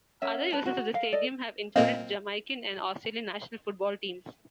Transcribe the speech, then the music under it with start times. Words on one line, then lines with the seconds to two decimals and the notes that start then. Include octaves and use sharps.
Other users of the stadium have included the Jamaican and Australian national football teams.
0.22 C#4 A#4 E5 F#5
0.52 B4 A5
0.66 F#4
0.94 A#4 F5
1.12 A4 D5 D#5
1.76 A#2 A#3 C4 D#5 F5